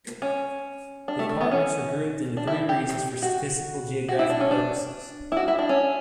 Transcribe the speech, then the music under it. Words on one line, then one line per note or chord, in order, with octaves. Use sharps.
The departments are grouped into three regions for statistical and geographic purposes.
C#4
D4
A3
A3
B3
C#4
D4
E4
G4
F#4
F#4
E4
D4
C#4
D4
E4
F#4
E4
D4
C#4